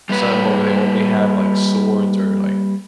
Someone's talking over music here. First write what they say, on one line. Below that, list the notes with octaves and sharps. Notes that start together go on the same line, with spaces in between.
somewhere where they only have, like, swords or, like
G3 A#3 B4